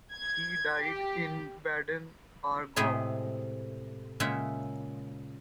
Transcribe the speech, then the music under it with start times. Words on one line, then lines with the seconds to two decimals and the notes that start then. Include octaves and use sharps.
He died in Baden, Aargau.
0.12 G#6
0.83 G4
2.76 A2 C3 G#3 G#4 D#5 E5
4.20 A#2 C#3 G#3 E5 F#5